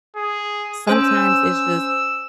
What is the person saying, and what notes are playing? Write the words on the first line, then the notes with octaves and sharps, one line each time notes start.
sometimes it's just
G#4
C#4 C5 G#5 E6